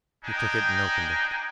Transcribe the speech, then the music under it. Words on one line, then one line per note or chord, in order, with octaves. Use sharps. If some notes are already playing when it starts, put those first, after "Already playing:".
He took it and opened it.
D4 D#4 G5 G#5